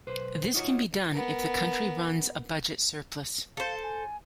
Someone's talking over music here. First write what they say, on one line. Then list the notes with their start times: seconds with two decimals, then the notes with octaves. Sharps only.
This can be done if the country runs a budget surplus.
0.07 B1 B4 C5
0.54 D#4 F4 F#4 C#5
1.12 B3 A#4
3.57 A4 C5 F5
3.83 G#5